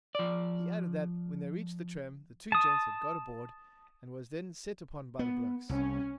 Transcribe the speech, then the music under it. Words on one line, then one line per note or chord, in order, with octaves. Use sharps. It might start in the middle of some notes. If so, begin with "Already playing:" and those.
He added that, when they reached the trem, the two gents had got aboard, and was then set upon by the blokes.
F3 D5
A5 D#6
B3
C2 C#4